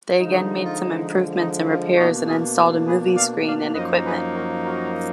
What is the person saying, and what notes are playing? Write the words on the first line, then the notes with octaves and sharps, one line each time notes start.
They again made some improvements and repairs and installed a movie screen and equipment.
D3 F3 G#3 D#4
F4
D#4
D#4
F4
B2 A#3 D4 D#4 F#4
F4 G#4
G#4 B4
D5 F5
D5 F5
F#2 F3 A#3 D#4 B4 D#5
G#4 B4
F#4 A#4
F#4 A#4